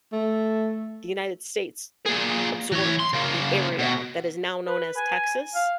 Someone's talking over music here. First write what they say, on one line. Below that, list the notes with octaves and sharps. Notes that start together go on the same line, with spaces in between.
The United States, it absorbed the area that is now known as Texas.
A3
A#2 G#4
E3 C#5
C6
C#3 A#3
B2
B4
G#5
F5